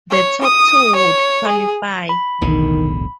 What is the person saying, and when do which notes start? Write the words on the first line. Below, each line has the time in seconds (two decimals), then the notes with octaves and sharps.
The top two would qualify.
0.11 C#5
0.42 D#6
0.96 C#5
1.48 G#4
2.09 B5
2.41 D1 B1 E2 D3 D#3